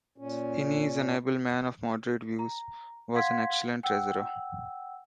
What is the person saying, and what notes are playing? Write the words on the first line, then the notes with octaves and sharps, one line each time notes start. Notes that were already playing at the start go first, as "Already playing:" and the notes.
Innes, an able man of moderate views, was an excellent treasurer.
A#2 C#4
A#5
F5 F#5 C6 G#6 B6
F#5 G5 E6